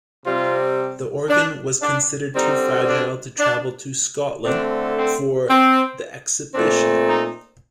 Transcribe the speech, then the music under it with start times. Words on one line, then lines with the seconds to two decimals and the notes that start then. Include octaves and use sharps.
The organ was considered too fragile to travel to Scotland for the exhibition.
0.25 C3 G3 C4 F4
1.29 D4
1.82 D4
2.35 D3 G3 C4 D#4
2.87 D4
3.40 D4
4.45 D3 A3 C4 D4
4.98 C4
5.50 C4
6.54 A#2 A3 C4 D4
7.07 D#4